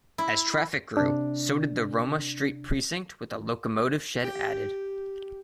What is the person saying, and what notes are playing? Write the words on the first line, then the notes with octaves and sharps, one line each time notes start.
As traffic grew, so did the Roma Street precinct with a locomotive shed added.
E4
C3 D4
G4